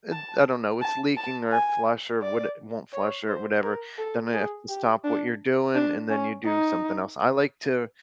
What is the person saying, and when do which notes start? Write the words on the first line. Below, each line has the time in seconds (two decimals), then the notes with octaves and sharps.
eh I don't know, it's leaking or flush or would won't flush or whatever, then I have to stop what you're doing, and then you do something else, I like to
0.11 A5
0.82 A5
1.17 A5
1.52 G#5
2.22 D5
2.93 C#5
3.28 C5
3.63 A#4
3.98 A4
4.34 G#4
4.69 G4
5.04 D4
5.75 D4
6.10 C#4
6.45 D#4